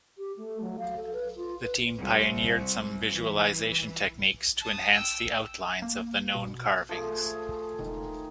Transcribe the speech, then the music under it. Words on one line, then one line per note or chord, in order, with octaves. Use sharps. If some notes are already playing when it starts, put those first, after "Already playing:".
The team pioneered some visualisation techniques to enhance the outlines of the known carvings.
G4
A3
F#3
F5
A4
B4
F4
B4
C2
E3
A5 D#6
G5 E6
A#3
B2
F3 A3 G#4
E1 D#3